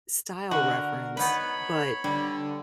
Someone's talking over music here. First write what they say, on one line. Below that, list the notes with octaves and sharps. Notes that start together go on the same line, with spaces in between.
style reference, but,
D3 F#4 A#4
B3 D#4 B4 C#5 B5
D3 G3